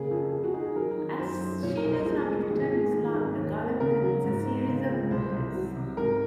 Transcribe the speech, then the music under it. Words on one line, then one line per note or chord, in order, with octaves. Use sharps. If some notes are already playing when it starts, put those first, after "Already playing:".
As she does not return his love, the golem commits a series of murders.
Already playing: C#3 A#3 G#4
F2
F3 G#4
F#4
D#4 G#4
G#4
F#3 A#4
D#3
F#2 C5
F#2
A#2 C#5
A#4
C2
C5
F2 G#4
G#3
G#1 G#4
F3 G#4
D#3
G#1
D#2
A#3
C#3 A#4
F#3
G#2
C4
C#3
C#2
C2 C5
C2
F#3
C3
G#2 A#4